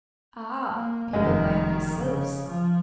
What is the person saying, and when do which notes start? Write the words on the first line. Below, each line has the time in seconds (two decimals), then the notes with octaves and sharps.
Ah! people might be sylphs.
0.73 A#3
1.13 F1 F#2 D#3 G#3
1.99 C#3
2.47 F3